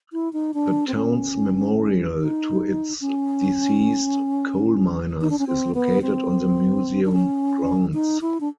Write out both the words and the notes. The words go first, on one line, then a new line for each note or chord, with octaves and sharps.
The town's memorial to its deceased coal miners is located on the museum grounds.
E4
D#4
D4
C4
C#4
D#4
C#4
D#4
D4
C#4
C4
B3
C4
D4
C#4
D#4
E4
D4